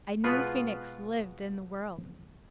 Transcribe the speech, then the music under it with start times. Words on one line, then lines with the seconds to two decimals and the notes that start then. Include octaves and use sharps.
A new Phoenix lived in the world.
0.24 B2 G#3 B3 F4 B4